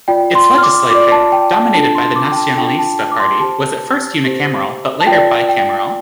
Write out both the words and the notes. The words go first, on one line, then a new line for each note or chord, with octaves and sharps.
Its legislature, dominated by the Nacionalista Party, was at first unicameral, but later bicameral.
F4 D5 G5
C6
F6
D6
F4 D5 D6
A5
G5
A5
D4 F4 A4 A5
C6
D6
G5
A5
D4 F4 A4 G5
A5
F6
D6
C6
G4 C5 A5
G4 C5
A5
F4 D5 G5
G5